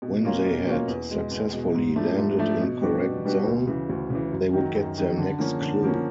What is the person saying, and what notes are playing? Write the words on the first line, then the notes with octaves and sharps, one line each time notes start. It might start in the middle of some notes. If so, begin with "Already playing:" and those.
When they had successfully landed in correct zone, they would get their next clue.
B2
F#3 A#3 C#4 F4
B2
F#3 A#3 C#4 F4
E2
B2 G#3
E2
B2 G#3
G#2
F3 A3 D4
G#2
F3 A3 D4
B2
G3 B3 D4 F#4
B2
G3 B3 D4 F#4
D2
C#3 E3
D2
C#3 E3
F#2
D#3 F#3
F#2
D#3 F#3
D3
F3 A#3 C#4
D3
F3 A#3 C#4